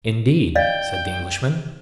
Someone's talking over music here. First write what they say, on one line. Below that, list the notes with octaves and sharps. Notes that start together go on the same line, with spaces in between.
"Indeed!" said the Englishman.
D5 D#5 F5 G5